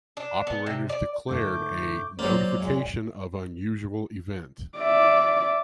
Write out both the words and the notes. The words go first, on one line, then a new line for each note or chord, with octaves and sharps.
Operators declared a "notification of unusual event".
D4
B3
C3
D5
G#2 D3 A3 D6 G6
D#2 F#3 G#3 A#3 C5 D5
A#2 G#3 C#5 F#5
D5 E5